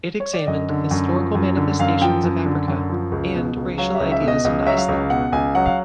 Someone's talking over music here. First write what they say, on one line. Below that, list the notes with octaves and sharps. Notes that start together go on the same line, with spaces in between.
It examined historical manifestations of Africa and racial ideas in Iceland.
C#5
D5
F#2 D#5
D3
F#2
F3
F#2
D3
F#2 F5
F3 G5
F#2
D3
F#2
F3
C#2
B2
C#2
F#3 F5
E5
C#2
E5
B2
D#5
C#2 D#5
F#3 E5
F5
C#2
B2 F#5
C#2 G#5
F#3 F#5
F5